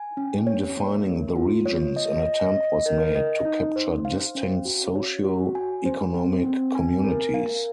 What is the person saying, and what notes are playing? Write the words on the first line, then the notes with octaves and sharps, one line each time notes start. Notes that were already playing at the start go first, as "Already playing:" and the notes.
In defining the regions, an attempt was made to capture distinct socio-economic communities.
Already playing: G#5
C#4
C#5
A#3
A#3
F4
C#5
D#5
D#5
D#5
A#4
D#5
D#4
C5
F5
C#4
F#4
C#5
F#4
G#5
C5
C4
C4
G#5
A#4
F5